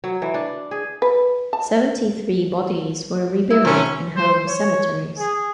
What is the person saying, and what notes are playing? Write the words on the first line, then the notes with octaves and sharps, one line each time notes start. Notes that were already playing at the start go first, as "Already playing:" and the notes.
Seventy-three bodies were reburied in home cemeteries.
F#3
E3
D4
G#4
B4
A5
E4
A2 C3 C#4
C5
C#5
G#4